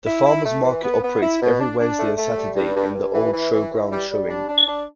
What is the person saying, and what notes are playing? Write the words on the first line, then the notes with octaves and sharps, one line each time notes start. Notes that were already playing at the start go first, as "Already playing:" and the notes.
The Farmer's Market operates every Wednesday and Saturday in the old showground showing.
E4
E4
A3
E3
B3
B3
E4
B2
D4
D4
A3
A3
G3
G2
G2
G2
E3
E3
E3
E3
G3
G3
D4
D4
D4